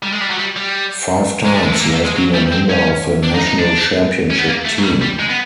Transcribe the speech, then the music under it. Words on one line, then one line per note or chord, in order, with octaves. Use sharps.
Five times he has been a member of a national championship team.
G3
G#3
G3
F#3
G3
G3
G#3
A3
G#3
A3
A#3
A3
G#3
F#3
G3
C4
C#4
D4
D#4
D#4
D4
C#4
B3
A#3
A3
F#3
G3
G3
G#3
B3